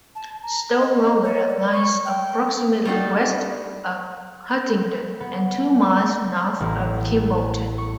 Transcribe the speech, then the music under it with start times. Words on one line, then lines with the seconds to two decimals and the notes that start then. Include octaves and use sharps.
Stow Longa lies approximately west of Huntingdon and two miles north of Kimbolton.
0.15 A5
0.43 A#5
0.80 D#5
1.24 C#5
1.49 D5
1.72 C#6
2.05 G5
2.85 G3 A3 D4 D#4 F#4
5.20 B3
6.60 A1
7.78 C#6